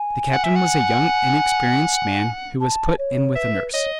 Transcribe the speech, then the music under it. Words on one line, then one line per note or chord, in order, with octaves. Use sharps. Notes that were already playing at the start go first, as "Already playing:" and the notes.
The captain was a young, inexperienced man, who was put in with a nurse.
Already playing: G#5
F#5
E5
F#5
A5
C#5
B4 E5
B4
C#5 D#5